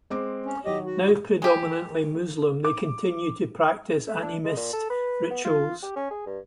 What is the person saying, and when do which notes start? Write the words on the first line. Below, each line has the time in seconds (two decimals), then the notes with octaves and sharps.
Now predominantly Muslim, they continue to practice animist rituals.
0.10 G#3 C4 D6
0.46 C#4
0.65 D#3 F#3 G4 C#5 D#5
0.86 F#4
1.42 G#3 G4
2.65 D6
4.07 A3
4.23 D4
4.44 G#3
4.56 A#2
4.73 A4
4.90 B4
5.31 B3
5.45 F4
5.83 G4
5.96 C#4
6.11 G#4
6.26 G2